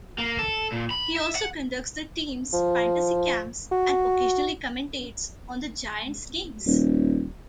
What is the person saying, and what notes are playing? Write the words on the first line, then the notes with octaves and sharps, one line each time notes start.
He also conducts the team's fantasy camps and occasionally commentates on Giants' games.
A#3
A4
A#2
B5
E5
F#5
F3
F#4
D#1